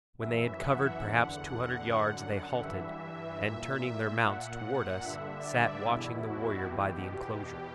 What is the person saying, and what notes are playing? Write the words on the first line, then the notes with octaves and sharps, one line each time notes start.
When they had covered perhaps two hundred yards they halted, and turning their mounts toward us sat watching the warrior by the enclosure.
F#2 E3 E5
F#5
E2 D3
F#2 D3
G2 E3 E5
A#2
A#2 F#5
G2 D3 E5
D5
E2 B2 E4
F#4
E2 B2 G4
E2 B2